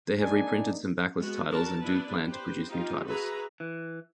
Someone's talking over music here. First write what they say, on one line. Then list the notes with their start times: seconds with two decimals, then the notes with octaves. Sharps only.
They have reprinted some backlist titles and do plan to produce new titles.
0.21 A#3 D4 D#4 G#5
1.17 G#3 B3 F#4
1.50 D4 F#4 A#4 A5
1.81 B3 D4 E4 B4
2.25 G4 B4 C5
2.68 D#4 F4 G4
3.07 F#4 G#4 B4 E5 A#5
3.60 E3